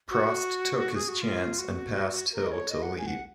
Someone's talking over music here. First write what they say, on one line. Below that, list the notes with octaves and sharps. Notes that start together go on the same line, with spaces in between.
Prost took his chance and passed Hill to lead.
F#4
G#4
F#4
F4
F#4
A#4
D#5
C#5
D#5
F#5
G#5
F#5